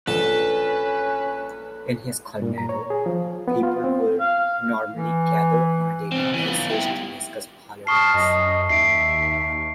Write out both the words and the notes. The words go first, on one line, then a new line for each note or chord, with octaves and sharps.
In his Colmado, people would normally gather on a daily basis to discuss politics.
A#1 C#4 A4 B4
A#2
A#5
C#5
G#4
F3
B3
F4
C4
F5
E3
B2 C4
E3
B3 F4
E4 G4
A5 C#6 D#6 F6 C7
F#2 D#5 A5
D#2 E5 C7 D7